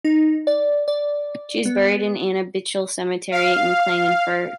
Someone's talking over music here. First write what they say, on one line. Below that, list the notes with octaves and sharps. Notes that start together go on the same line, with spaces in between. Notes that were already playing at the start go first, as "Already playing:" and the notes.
She is buried at the Annabichl cemetery in Klagenfurt.
D#4
D5
D5
B3
F5